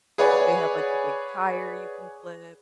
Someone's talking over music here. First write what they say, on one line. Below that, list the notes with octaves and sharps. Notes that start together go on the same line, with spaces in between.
They have, like, a big tire you can flip
G#4 B4 C#5 D5 F#5 G#5